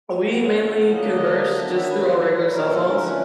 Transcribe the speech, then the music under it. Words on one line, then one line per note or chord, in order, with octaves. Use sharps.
we mainly converse just through our regular cell phones.
G5
C#3 F3 A#3 C#4 E4 F#5
D3 F#3 A#3 D4 D#5
D#3 F#3 B3 D4 E5
E5
B4
A#2 F#3 A3
A#4
A4
D3 F3 A3 C#4 E4 A#4
B4